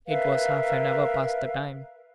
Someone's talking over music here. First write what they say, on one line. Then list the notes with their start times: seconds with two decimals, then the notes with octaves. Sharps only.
It was half an hour past the time.
0.08 A#4 B4 E5 F5